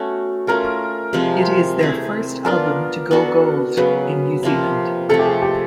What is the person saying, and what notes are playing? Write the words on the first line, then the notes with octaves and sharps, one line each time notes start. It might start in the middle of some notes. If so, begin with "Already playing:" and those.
It is their first album to go gold in New Zealand.
Already playing: A3 B3 C#4 F#4
A3 C#4 F4 A#4
C3 F3 G#3 C4
A3 C4 E4 G#4
B3 D4 F4 A#4
B3 D4 F#4 A4
C#3 F#3 B3 B4
C3 F3 A#3
C3 F3 A3 A4
G4
G#4
G4